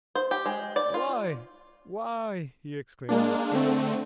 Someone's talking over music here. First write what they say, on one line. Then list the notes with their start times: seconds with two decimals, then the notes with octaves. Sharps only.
"Why--why!" he exclaimed.
0.15 C5
0.31 G4
0.46 G#3
0.76 D5
0.94 F4
3.09 G#3 A#3 D4
3.51 D3 A3 C4